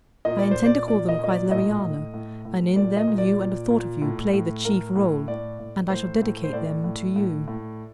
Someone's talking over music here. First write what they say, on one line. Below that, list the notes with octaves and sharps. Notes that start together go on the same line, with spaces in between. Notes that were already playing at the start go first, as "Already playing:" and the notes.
I intend to call them 'Kreisleriana,' and in them you and a thought of you play the chief role, and I shall dedicate them to you.
A#2 D#5
D5
A#2 C5
D5
A#2 D5
D#5
A#2 D#5
D5
A2 D#5
A2
A2
A2
A#2 D5
D#5
A#2
D5
A#2
A#2
A2
A2
A2 A#4
A2
A2 D5
A2
A2 C5
A2
C5
A2 D5
A2
A2
A2